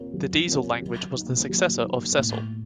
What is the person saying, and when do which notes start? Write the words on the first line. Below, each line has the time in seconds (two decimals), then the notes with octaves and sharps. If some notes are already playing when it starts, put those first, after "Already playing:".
The Diesel language was the successor of Cecil.
Already playing: C4 F4 A#4 C#5
0.14 F#3
0.47 C4 F4 A#4 C#5
0.82 F#3
1.15 D#4
1.21 A#3
1.49 F#3
1.83 A#3 D#4
2.18 A2